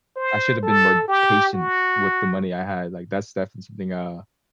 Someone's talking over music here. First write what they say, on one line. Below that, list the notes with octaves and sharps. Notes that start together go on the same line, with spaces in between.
I should’ve been more patient with the money I had, like, that's definitely something, uh
C5
A4
G4
F#4